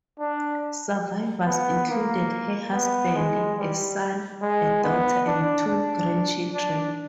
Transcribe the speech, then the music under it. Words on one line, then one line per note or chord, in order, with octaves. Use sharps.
Survivors included her husband, a son, a daughter, and two grandchildren.
D4
B3
A#3
B3
G#3
G3
G#3
B3
D4
D4
D4